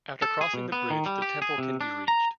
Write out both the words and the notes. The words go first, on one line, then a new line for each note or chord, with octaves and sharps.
After crossing the bridge the temple can be reached.
A4
G#4
B2
B3
D#3
G3
G4
G#4
C3
D4
A#5